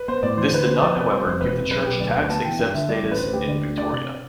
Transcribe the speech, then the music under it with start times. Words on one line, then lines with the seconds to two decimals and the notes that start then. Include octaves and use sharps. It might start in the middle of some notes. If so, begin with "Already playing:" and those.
This did not, however, give the Church tax exempt status in Victoria.
Already playing: B4
0.08 B3 C5
0.23 A2 D5
0.37 E3 C5
0.52 D3 B4
0.67 B3 C5
0.82 F3 D5
0.96 C3 B4
1.11 G3 C5
1.27 F2 C5
1.41 E1 B4
1.56 C3
1.70 B1 B4
1.85 B1 G4
2.00 D2 D5
2.16 D2
2.30 B3 A5
2.45 E3 G5
2.59 G2 F5
2.74 D3 E5
2.88 G3 D5
3.03 A1
3.11 B4
3.18 D2 C5
3.33 D2 G4
3.48 D3 D5
3.62 D2
3.77 D4 D5
3.92 C3 D5